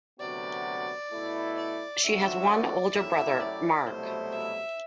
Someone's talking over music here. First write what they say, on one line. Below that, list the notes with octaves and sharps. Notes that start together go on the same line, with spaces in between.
She has one older brother, Mark.
D2 C3 F#3 B3 F#4 D5
B2 A3 E4
D5
D2 D3 F#3 C4 F#4 E5
D5
F#2 F#3 A3 E4 G4 E5
D5
C2 B2 F#3 A3 E4 C5
E5